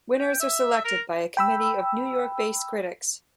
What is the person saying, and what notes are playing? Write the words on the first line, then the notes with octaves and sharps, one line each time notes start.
Winners are selected by a committee of New York-based critics.
G5
E5
A#4
G5 B5 E6